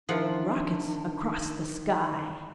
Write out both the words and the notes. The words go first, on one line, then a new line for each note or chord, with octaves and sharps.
Rockets across the sky!
D#3 F3 D4 E4 A#4 E5 F#5